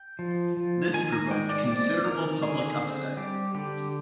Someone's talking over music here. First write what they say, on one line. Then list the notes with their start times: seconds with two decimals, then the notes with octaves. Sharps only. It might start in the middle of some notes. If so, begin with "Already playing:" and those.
This provoked considerable public upset.
Already playing: G5
0.19 F3
0.57 F3
0.94 D#3 G#5
1.13 A#5
1.31 G#3 G5
1.49 D5
1.68 C4 D5
2.05 D#3 A#4
2.42 D3 G#4
2.79 C4
3.17 G3 G4
3.54 D3 G4